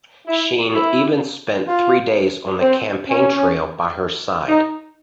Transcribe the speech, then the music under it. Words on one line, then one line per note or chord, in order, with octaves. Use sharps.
Sheen even spent three days on the campaign trail by her side.
E4
E4
F4
C4
C#4
D#4